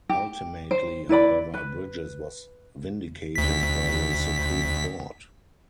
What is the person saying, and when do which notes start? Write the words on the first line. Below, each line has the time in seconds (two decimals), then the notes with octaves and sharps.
Ultimately, however, Bridges was vindicated by the Supreme Court.
0.09 G4
0.71 C5
1.09 E4 B4 D5 B5
1.54 B4
3.36 D2 B6